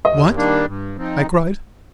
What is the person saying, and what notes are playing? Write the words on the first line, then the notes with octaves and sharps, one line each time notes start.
"What!" I cried.
D#2 D#5
D#3 G3 A#3 D4
G2
F3 C4 D#4